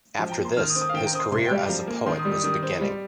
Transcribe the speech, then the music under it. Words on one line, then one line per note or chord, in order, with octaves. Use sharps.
After this, his career as a poet was beginning.
F3
G5
A#5
A#3
C6
D#3 F6
D#6
C4
D#6
F5
D#3 G5
A#5
C4 D#6
C6
C3 C6
G5
G3
F5
F3 A#5
A#3
D#3 C6
D#6
G3
D#6
D#3 D#6
C4
G3